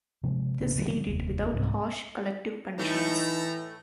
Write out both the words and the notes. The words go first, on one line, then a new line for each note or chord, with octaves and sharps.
This he did without harsh collective punishments.
C3 F3 F#3 G#3
A1 C#3 A#3 D4
D3 F3 G3 A3
F1 D#2
C2 G#2 C3
A2 E3 A3 D#4 E5 A5 A#5